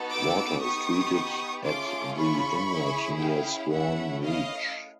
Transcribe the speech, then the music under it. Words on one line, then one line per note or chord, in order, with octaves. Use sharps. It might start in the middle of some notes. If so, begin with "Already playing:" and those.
Water is treated at the inlet near Swan Reach.
Already playing: B3 D#4 F#4 A4
D6 E6
B3 D#4 G4 C#6 D#6
A3 C#4 F4 G#4 C6 D6
B5 C#6
C#4 E4 G#4
F5 G5
A3 C#4 E4 E5 F#5
D#5 F5